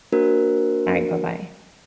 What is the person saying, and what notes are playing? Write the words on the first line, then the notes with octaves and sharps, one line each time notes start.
Alright, bye-bye.
A#3 D4 F#4 A#4 C5